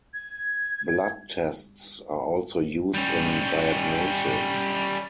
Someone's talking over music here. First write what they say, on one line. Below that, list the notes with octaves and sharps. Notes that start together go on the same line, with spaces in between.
Blood tests are also used in diagnosis.
G#6
G3 C#4